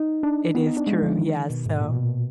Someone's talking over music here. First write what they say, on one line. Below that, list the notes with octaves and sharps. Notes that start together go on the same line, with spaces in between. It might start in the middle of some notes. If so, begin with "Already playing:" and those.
It is true. Yes, so
Already playing: D#4
D4
B3
D#4
D4
G#3
F3
D#3
B2
G#2
A#2
B2
A#2